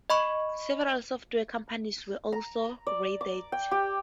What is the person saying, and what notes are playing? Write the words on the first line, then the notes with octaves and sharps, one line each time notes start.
Several software companies were also raided.
D#5 B5 C#6
A#5
D5
D6
G5
G4